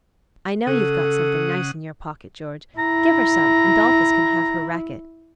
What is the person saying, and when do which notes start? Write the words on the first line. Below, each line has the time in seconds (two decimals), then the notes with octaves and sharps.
I know you've got something nice in your pocket, George; give her some, and 'Dolphus can have her racket.
0.67 C#3 A4 F#5 D#6
2.78 E4 A#5